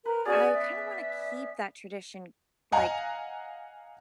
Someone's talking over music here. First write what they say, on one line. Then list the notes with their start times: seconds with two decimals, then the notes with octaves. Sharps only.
I kinda wanna keep that tradition, like,
0.05 A#4 B4
0.25 B3 C#4 F#4 G#4 D5 G#5
0.51 E5
2.72 D#5 F5 F#5 G#5 A#5